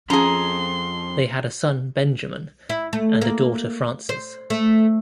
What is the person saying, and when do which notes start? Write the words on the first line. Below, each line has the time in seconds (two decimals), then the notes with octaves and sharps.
They had a son, Benjamin, and a daughter, Frances.
0.10 F2 C#4 G#4 A#5 C6
2.69 E4
2.93 A3
3.21 A#3
4.09 C5
4.50 A3